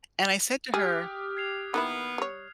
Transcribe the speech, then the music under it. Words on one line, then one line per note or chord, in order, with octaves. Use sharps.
And I said to her,
G4 G#4 D#6 F6 F#6
G#6 C7 F7
D#3 A#3 B3 E4
G3 C#5